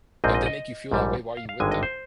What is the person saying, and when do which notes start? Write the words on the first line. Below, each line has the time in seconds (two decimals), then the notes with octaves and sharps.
If they make you feel that way, why are you with them?
0.24 A#1 G#2 F3 C4 D#5
0.34 D#5
0.46 D#5
0.92 A#1 G#2 G3
1.37 F5
1.49 F5
1.60 G#1 G2 D3 G#3 G#5
1.71 D#5
1.83 C5